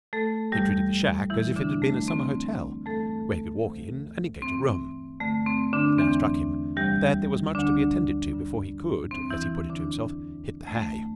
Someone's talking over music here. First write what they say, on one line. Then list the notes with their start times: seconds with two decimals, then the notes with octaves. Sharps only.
He had treated the shack as if it had been a summer hotel, where he could walk in and engage a room. It now struck him that there was much to be attended to before he could, as he put it to himself, hit the hay.
0.13 A3 A4
0.52 E2 C3 E3 G3 G4
1.30 G2 E3 E4
1.56 D3 D4
1.82 A3
2.08 D2 D3 C4
2.86 G2 E3 A3 A4
3.65 D2 C3 E3
4.42 G2 E3 C4
5.20 G2 D3 A3
5.46 C4
5.73 D3 D4
5.98 E2 E3 C4
6.76 D2 C3 E3 G3 G4
7.55 D2 D3 D4
8.33 G2 D3
9.11 E2 C3 E3 C4
9.30 E3 E4
9.70 D3 D4
9.89 E2 C3 E3
10.67 E2 D3 A3